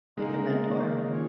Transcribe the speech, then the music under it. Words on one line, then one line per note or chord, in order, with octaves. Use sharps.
Like a mentor.
C#3 G#3 A#3 D#4 A#4
D#3 C#4 F4 C#5